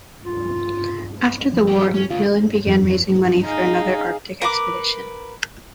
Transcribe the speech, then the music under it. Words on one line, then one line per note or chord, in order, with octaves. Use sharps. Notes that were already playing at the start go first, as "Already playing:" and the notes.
After the war, MacMillan began raising money for another Arctic expedition.
F4
F3
F#3 G4
C#4
D2 C#3 F4
F2
D#4 G#4 F5
A#4 B4 D6